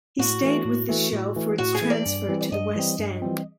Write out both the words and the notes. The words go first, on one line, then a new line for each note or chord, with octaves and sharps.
He stayed with the show for its transfer to the West End.
A2 F#4
E3 A3
A2
E3 A3
A2
E3 A3
A2 F#4
G#4
E3 A3
D5
G2
E3 G3 C4
D5
G2 D#5
E3 G3 C4
G2
E3 G3 C4